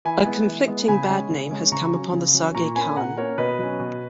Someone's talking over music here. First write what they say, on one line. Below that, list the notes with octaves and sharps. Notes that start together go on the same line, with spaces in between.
A conflicting bad name has come upon the Sage Khan.
E3 G#5 B5
G#3 B3
E3
G#3 B3
C#3 G#5 B5
G#3 C#4
C#3
G#3 C#4
C#3 A#5 C#6
F#3 C#4
C#3
F#3 C#4
A#2 A#5 C#6
A#3 C#4 G#5 B5
A#2 F#5 A#5
A#3 C#4 A#4 C#5
B2 B4 D#5
F#3 C#4
B2